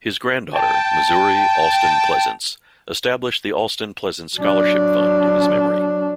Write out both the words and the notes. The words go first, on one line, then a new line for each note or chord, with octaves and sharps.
His granddaughter, Missouri Alston Pleasants, established the Alston-Pleasants scholarship fund in his memory.
G5 A5
F#3 D4